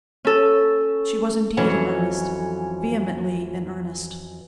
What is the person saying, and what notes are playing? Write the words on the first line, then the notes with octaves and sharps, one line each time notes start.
She was indeed in earnest--vehemently in earnest.
C#4 A4
F2 E3 F#3 C#4 A4 F#5